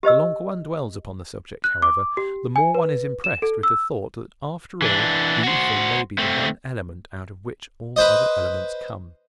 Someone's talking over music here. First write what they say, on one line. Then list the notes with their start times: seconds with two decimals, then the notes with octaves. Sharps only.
The longer one dwells upon the subject, however, the more one is impressed with the thought that after all the ether may be the one element out of which all other elements come.
0.03 G4 C5 D#5 E6
1.64 F#6
1.82 D6
2.17 G4
2.56 G#5
2.74 B4
3.24 E7
3.42 A4
3.63 E6
4.82 E3 D4
5.43 F#4 C5
6.18 A3 C4
7.96 B4 C5 D#5